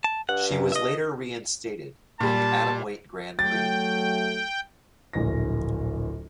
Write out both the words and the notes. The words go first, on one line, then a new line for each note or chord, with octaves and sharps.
She was later reinstated in the Atomweight Grand Prix.
A5
G2 F#5
F#2
D#5 E5
A#2 G3 A5
F#3 A3 G5 A6
D1 A#1 A#6